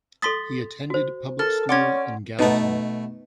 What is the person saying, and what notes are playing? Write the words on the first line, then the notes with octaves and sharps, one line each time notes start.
He attended public school in Gallatin.
A4 C6 D#6 A6 B6 G7
F#4 C5
A4 A#4 F6
C#4 C#5 D5 F#5 C6 G#6
B2 A3 B3 D#4 A5